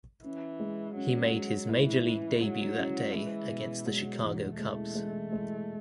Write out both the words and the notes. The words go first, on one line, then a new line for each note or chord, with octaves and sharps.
He made his major league debut that day against the Chicago Cubs.
E3 C#4
G#3
F#3 C#4
G#3
A2 E3
E4
F#3 G#3
C#4
E3 G#3
B2
F#3 G#3
E2
G#3 A3
G#3
G#3